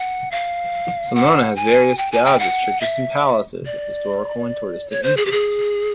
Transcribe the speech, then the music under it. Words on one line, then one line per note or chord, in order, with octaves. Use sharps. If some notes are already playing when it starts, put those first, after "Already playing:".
Sulmona has various piazzas, churches and palaces of historical and touristic interest.
Already playing: F#5
F5
F#5
G#5
G5
G#5
G5
F#5
E5
D5
C#5
C5
G#4
G4
G#4